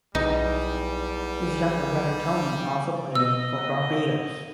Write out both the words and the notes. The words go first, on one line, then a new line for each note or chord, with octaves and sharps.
His younger brother Tony also played for Barbados.
B1 E2 G3 D#4
B2 B3 D#5 E6
F#5